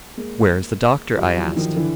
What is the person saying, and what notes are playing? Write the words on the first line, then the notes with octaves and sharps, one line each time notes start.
"Where is the Doctor?" I asked.
G#3 A#3
F3 G3
E3 F#3
D#3 F3
D3 E3